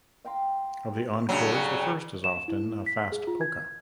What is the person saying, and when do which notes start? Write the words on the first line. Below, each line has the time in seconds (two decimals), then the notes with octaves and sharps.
Of the encores, the first is often a fast polka.
0.25 F5 G5 A#5 C6
1.29 G2 C#3 F#3
2.24 E7
2.48 E4
2.86 B6
3.12 G#4
3.27 F4
3.41 G#6